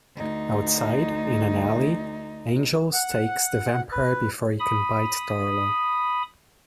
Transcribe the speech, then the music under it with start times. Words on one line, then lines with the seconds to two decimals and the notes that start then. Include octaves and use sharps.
Outside, in an alley, Angel stakes the vampire before he can bite Darla.
0.16 D2 D#4
2.94 F#5
3.92 B4
4.59 B5 D#6